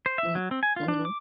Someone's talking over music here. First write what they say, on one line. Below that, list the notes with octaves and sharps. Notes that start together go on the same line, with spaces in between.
Mm Mhm.
C5
E5
F#3
C4
G#5
F4
D4
D6